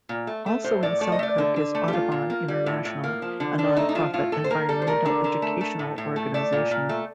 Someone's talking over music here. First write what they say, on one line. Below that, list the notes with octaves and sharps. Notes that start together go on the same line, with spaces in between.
Also in Selkirk is Audubon International, a non-profit environmental educational organization.
A#2
A3
A3
A2 C5
A2 D5
A3 D5
D#5
A3 D5
D3
D3
A3
G4
A#2 F4
A#2
A#3
G3
A2
A2
A#3
F3
D3
D3 D4
A3 D#4
D#4
F3 F4
A2 F4
A2 A4
C5
A#3 A#4
G3 A4
C5
A3 A#4
D3
D3
A3
A3
A2
A2
A3
A3 D5
A#2
A#2
A3